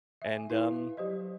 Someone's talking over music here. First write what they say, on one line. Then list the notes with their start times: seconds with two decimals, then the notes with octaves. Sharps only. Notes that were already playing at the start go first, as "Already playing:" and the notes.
and, um,
0.22 E5 G#5
0.50 E4 B4 F5
0.97 F#3 G4 C5 D#5